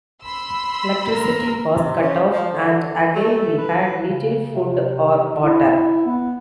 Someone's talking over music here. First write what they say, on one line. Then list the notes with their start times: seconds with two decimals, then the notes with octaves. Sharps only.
Electricity was cut off, and again we had little food or water.
0.23 B5 C6 E6
1.13 A#4
1.73 C3
2.02 C#4
2.32 F3
2.51 D3
3.15 A3
3.58 B4
4.08 C#3
4.53 C3
5.41 E4
6.05 B3